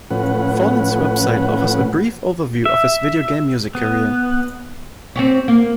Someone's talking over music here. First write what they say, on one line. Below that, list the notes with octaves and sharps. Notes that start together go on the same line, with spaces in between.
Follin's website offers a brief overview of his video game music career.
A2 F3 C#4 B4 F#5
E5
B3
C4 G4 C#5
A#3